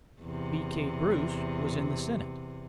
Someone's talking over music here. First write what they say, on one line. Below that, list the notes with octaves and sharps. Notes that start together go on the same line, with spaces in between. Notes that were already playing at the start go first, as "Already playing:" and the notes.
B.K. Bruce, was in the Senate.
E2 C3